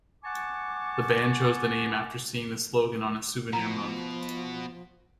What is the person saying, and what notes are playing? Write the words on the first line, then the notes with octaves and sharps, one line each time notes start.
The band chose the name after seeing the slogan on a souvenir mug.
F#5 G#5 A5 C#6 D6
B2 F3 A#5